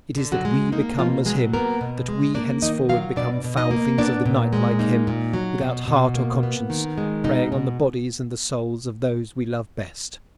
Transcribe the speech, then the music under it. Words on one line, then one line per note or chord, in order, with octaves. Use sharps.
It is that we become as him; that we henceforward become foul things of the night like him--without heart or conscience, preying on the bodies and the souls of those we love best.
D3
F#3 F#4
G#3
A#3 D#4
B2 F3 F4
F#3 G#3 G#4
A#3 B3 A#4
B2
G#3
A#3 D4 D5
D#3 D#4 D#5
F#3 F4 F5
B2 D4 D5
B2
D#4 D#5
A#3
B3 D4 D5
A#2
G#3
A#3 D#4
A#2
F#3
B2
B2
A#3
B3
D#3
G#3
B2 D#4
B2